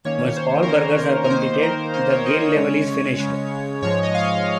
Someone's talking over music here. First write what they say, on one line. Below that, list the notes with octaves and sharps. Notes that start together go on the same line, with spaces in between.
Once all burgers are completed, the game level is finished.
D#3 A#3 C#4 C#5
C5
A#4
D#3 A#3 C#4 C5
A#4
D#3 A#3 D#4 C5
A#4
D#3 A#3 D#4 C5
C#5
D#5
C#5
C#3 G#3 C#4
C#3 G#3 C#4
G#2 F3 G#3 C#5
D#5
F5